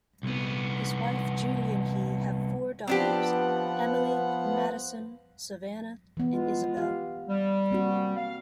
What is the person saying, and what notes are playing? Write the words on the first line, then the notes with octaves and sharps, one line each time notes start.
His wife, Judy, and he have four daughters: Emily, Madison, Savanna and Isabelle.
C2 B3
F3 B3 C4 D4 G4 F#5
E3 B3
G#3 F4
G4 F5
G3
A#3 C4 F#4
F5